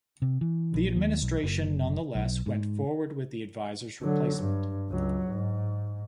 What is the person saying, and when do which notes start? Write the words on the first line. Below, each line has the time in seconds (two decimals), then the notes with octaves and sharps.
The administration nonetheless went forward with the advisor's replacement.
0.22 C3
0.41 E3
0.74 A#1
0.96 D#2
1.22 B1
1.43 F#1
2.15 B1
2.46 G#2
4.01 D3 F#3
4.36 G2
4.89 C#2 F#3
5.28 G#2